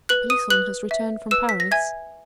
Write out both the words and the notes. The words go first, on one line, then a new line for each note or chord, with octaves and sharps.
"Pelisson has returned from Paris."
B4 F#6 F#7
D#6 D#7
B4 F#6 F#7
E5
B4 E6 E7
B6
A#6
E5 G#5 G#6